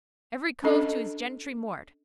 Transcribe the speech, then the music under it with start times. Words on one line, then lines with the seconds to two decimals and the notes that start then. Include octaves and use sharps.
Every cove to his gentry mort.
0.64 C#4 D4 A4 D#5